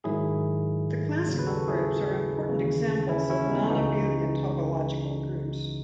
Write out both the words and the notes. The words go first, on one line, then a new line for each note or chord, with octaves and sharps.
The classical groups are important examples of non-abelian topological groups.
G#2 D#3 F#3 E4 G#4
D#2 C#3 F#3
B4
F#4 A4
E4 G#4
D#2 C#3 E3
C#4 E4
C#4 E4
B3 D#4
C#2 C#3 E3 D#4 F#4